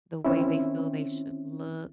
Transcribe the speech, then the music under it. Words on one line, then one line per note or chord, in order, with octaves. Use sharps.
the way they feel they should look,
D#3 C4 C#4 E4